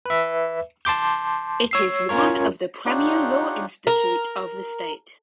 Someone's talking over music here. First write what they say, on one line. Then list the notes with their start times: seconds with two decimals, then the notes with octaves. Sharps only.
It is one of the premier law institute of the state.
0.06 B4 E5
0.85 A5 C6 D6 G6
1.71 C#5 E6 C7
2.09 C#4 F4 A#4 C#5
2.85 D4 D#4 F4 G4 C#5 F#5
3.87 A#4